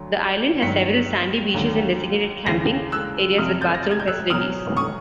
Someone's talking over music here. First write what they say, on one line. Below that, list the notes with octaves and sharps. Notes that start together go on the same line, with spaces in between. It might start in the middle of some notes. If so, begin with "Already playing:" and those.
The island has several sandy beaches and designated camping areas with bathroom facilities.
Already playing: D2 D3 F#3
G2 D#3 F#3 B6 C#7
D#2 D3 F#3
D#2 C#3 E3 A#6 C7
E6 F#6
F2 C3 F3 D#6 F6
G6 A6
A#6
A6
G#6
G6
E6 F#6
E2 B2 F#3 D#6 F6
C#6 D#6